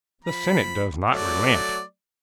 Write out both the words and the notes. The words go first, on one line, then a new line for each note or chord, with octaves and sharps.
The senate does not relent.
F3 B5
F#3 A3 D5